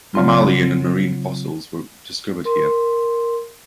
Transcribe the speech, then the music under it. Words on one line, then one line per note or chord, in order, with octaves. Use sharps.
Mammalian and Marine fossils were discovered here.
C#3 F#3 C4 F4
A#4 C6